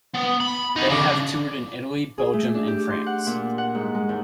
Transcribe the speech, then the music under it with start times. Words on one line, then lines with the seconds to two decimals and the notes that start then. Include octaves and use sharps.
They have toured in Italy, Belgium and France.
0.14 B3
0.40 B5
0.76 B3 D#4
0.89 C#3 D4
2.18 G#4
2.33 A3
2.54 D4
2.68 G4
2.90 C6
3.06 F#5
3.27 A#2
3.58 F#5
3.75 G#2
3.94 G#3
4.09 D#2